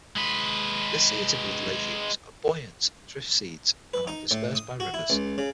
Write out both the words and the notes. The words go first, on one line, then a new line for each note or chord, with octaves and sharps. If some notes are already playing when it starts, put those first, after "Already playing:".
The seeds of these legumes are buoyant drift seeds, and are dispersed by rivers.
G#3 B4
B4
D#4
A2
D#6
F#4
E4
C#2
C#3